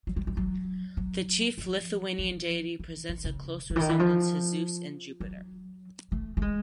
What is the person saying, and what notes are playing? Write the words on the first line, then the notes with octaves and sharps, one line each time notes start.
The chief Lithuanian deity presents a close resemblance to Zeus and Jupiter.
F#3
G3
G3
F#3
F#3
F3
F3
E3
D#3
C#3
D3
E3
D#3
E3
F3
F#3
A3
A3
G#3